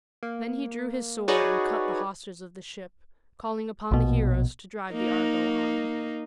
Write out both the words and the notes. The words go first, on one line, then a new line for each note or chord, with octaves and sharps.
Then he drew his sword and cut the hawsers of the ship, calling upon the heroes to drive the Argo on.
A#3
D#4 F#4 G#4 B4 C#5 D5
A#1 B2
A#3 D#4